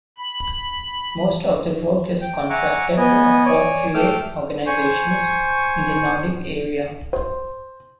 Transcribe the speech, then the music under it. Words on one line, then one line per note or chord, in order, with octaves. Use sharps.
Most of the work is contracted to appropriate organisations in the Nordic area.
B5
G5
E5 F#5 G#5 A#5 C#6 D6
B3 D#5 G#5
C#5 D5 G#5
A3 G5 D6 E6 F6
C5 G#5 C#6
C5